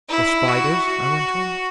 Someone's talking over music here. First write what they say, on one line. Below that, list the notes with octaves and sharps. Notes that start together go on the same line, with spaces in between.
"Or spiders?" I went on.
E4
F#4
F#4